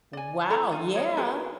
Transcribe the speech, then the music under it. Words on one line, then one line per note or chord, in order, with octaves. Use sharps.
Wow, yeah!
D5 G#5
A4 E5 A#5 B5
F4
C#5 D#5
F#4 G#4 A#4 B4